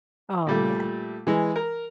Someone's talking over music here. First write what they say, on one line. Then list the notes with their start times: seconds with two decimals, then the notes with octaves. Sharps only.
Oh, yeah.
0.47 A#2 G3 A3
1.27 E3 G#3
1.56 A#4